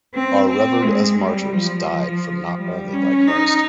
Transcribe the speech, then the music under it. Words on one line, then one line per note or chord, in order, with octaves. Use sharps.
Are revered as martyrs died for not only by Christ.
C4
C4
G#3
G3
F3
G3
C#4
D#4